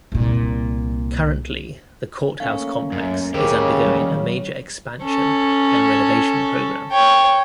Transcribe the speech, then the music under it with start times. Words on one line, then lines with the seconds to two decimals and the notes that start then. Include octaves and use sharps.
Currently, the Courthouse Complex is undergoing a major expansion and renovation program.
0.12 C2 A#2
2.40 A3 A#3 C#4 F5
2.92 F#2
3.34 D#2 C#3 G4 A#4 C5 D6
3.85 F#3 G3 F6
5.04 C#4 A4
6.91 C#5 G5